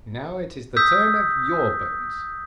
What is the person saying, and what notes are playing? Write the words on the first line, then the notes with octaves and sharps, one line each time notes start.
Now it is the turn of your bones.
D#6 E6 G6 B6